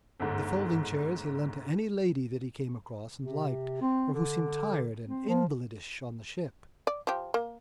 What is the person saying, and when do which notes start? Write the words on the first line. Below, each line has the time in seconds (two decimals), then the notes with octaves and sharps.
The folding chairs he lent to any lady that he came across and liked or who seemed tired and invalidish on the ship.
0.20 G1 D2 G#2
3.17 C3
3.81 C4
4.14 D3
5.06 C4
5.29 F3
6.87 D5
7.07 F3 G4
7.34 A#3